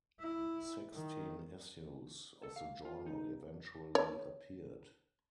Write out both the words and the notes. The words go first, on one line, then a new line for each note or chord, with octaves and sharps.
Sixteen issues of the journal eventually appeared.
E4
D#3
A4
F5
F4
D#4
C#5